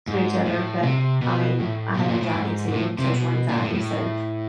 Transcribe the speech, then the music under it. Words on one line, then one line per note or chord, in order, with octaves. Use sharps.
to each other, but I mean, I have anxiety too and social anxiety, so
G#2
A2
C3
B2
A2
B2
A#2
A2
G#2
G#2
A2
C3
B2
A#2
G#2
A2
A2